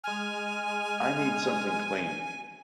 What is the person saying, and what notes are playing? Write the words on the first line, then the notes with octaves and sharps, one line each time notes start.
I need something clean.
G#3 G#5 F6